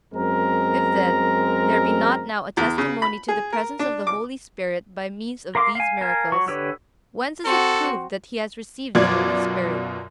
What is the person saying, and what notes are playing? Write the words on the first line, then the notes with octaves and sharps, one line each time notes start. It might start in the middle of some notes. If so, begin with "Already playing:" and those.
If, then, there be not now a testimony to the presence of the Holy Spirit by means of these miracles, whence is it proved that he has received the Holy Spirit?
F#2 G#3 C4 A#4 A#5
E2
C#3
B5
G#4
A#4
D4
D6
A#4 F5 C6 D6
F5 G#5
A#4 F5 G#5 A5
F#3 C#6
D3 G4 B4 C#5 E6
C4 F#4 A4
F#2 B2 F4 D5 D6 G#6